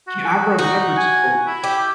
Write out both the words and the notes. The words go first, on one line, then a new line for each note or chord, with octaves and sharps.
Yeah, I remember so
F#4
D#4 F#4
G#5
E4
G4